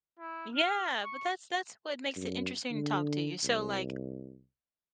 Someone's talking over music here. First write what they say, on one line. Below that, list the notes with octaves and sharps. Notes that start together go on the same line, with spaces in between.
Yeah, but that's that's what makes it interesting to talk to you, so, like,
E4
F6
C#6
F#2
D3
C2